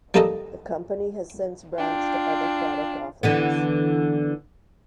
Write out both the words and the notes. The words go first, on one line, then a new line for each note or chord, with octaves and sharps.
The company has since branched to other product offerings.
G3 A#3 D#4 G4 A4 D#5
D4 F4 G5
D3 E3 B3